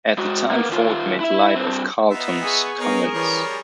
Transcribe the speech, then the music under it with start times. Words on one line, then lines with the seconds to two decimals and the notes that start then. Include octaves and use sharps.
At the time Ford made light of Carlton's comments.
0.18 G#3 F#4
0.51 A#3 B3
0.69 D#3 F4
1.20 E4 E5
1.56 G2 C4
2.11 B3 D#4 F4 E5
2.41 G#4 C#6
2.80 B3 D#4 A#4 C#5 F5
3.14 E3 F3 G3 C#4